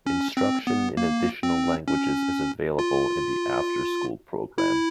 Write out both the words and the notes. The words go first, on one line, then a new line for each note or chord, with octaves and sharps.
Instruction in additional languages is available in the after school program.
C#4
C4
B3
A#3
C4
C#4
F4
E4